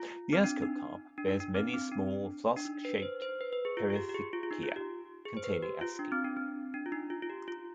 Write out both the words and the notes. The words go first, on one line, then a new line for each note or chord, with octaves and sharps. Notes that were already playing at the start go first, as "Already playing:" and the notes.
The ascocarp bears many small, flask-shaped perithecia containing asci.
Already playing: F4
C4
D4
D#4
D4
D#4
D4
C4
C4
D4
D4
D#4
B4
C5
C5
B4
B4
G#4
F4
F4
G4
G4
G#4
F4
F4
D#4
F4
G4
G#4
C5
B4
G4
F4
D4
C4
D4
C4
D4
F4
D#4
F4
F4
G4
F4